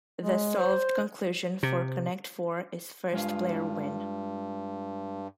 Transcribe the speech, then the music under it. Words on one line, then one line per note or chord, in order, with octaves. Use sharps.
The solved conclusion for Connect Four is first player win.
G#3
C5
C3
G2 G#3 F4 F5